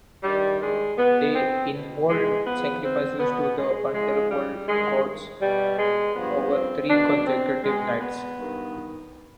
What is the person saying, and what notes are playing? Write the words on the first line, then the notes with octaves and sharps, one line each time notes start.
They involved sacrifices to the underworld gods over three consecutive nights.
G2 D#3 G3
G#3
B2 B3
C4
B2
G#3
G#2 F3 B3
C4
B2 B3
G#3
G#2 F3 G#3
G3
G2 D#3 G#3
B2 G3
G#3
G2 F3 B3
C4
B2 D4
C4
B2 G#3
B3
G2 D#3